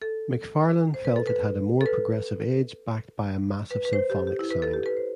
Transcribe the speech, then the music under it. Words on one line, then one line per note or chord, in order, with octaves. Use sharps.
McFarlane felt it had a "more progressive edge backed by a massive symphonic sound".
A4
C5
B4
A4
B4
A4
B4
B4
B4
C5
G4
A4
G4
E4
B4
A4
G4
B4
C5